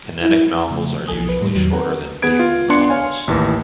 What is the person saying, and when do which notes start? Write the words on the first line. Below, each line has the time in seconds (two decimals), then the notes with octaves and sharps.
Kinetic novels are usually shorter than visual novels.
0.22 E4
0.70 C#3 F3 A3
1.08 B1 F3 A4 G#5 D#6
1.29 B4
1.41 A2 G3
1.55 E2 D#3 F#3
1.73 C4 A4 B4 F#5 A#5
2.22 B3 G#4 B4 G#6 D7
2.39 F4
2.69 B3 D4 C6 C#7
2.89 C#5 F5 G#5 C6
3.28 A1 D#2 E3